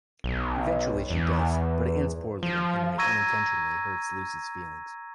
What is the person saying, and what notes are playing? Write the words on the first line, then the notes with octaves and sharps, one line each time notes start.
Eventually she does, but it ends poorly when Henry unintentionally hurts Lucy's feelings.
B1
E2
F3
A#5 C#6 E6 G#6 A#6 D#7